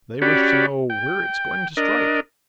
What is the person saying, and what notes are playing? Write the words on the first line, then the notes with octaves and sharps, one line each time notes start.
They wish to know where it is going to strike.
C#4 F#4 G4 D5 B5
G5
D4 A#4 D#5